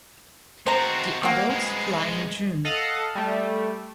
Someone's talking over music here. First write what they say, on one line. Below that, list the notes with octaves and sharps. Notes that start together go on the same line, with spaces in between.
The adults fly in June.
C4 F#4 C5 A#5
A#3 C4 F#4
G#3 B3
A4 D#5 F5 F#5
G3 A3